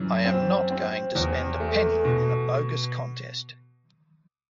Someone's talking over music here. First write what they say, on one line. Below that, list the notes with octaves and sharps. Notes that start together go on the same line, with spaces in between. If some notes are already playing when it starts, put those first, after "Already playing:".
I am not going to spend a penny in a bogus contest.
Already playing: F#2 E3
C4
C4
E2
A3
B2